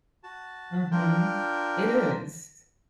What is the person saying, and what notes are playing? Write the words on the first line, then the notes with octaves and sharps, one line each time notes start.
Mhm, it is.
F#4 A5
D4 F4 A#4 G5